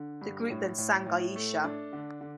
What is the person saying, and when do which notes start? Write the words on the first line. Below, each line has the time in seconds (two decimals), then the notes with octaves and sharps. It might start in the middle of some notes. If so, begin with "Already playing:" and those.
The group then sang "Iesha".
Already playing: D3
0.21 G2
0.50 A2
0.78 A2
1.06 A2
1.36 A3
1.64 D4
1.93 D3
2.21 D3